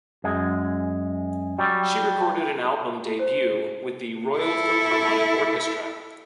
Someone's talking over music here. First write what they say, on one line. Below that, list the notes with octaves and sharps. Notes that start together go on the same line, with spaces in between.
She recorded an album "Debut" with the Royal Philharmonic Orchestra.
F#2 G#3
F#3 G3
C5
E4 A4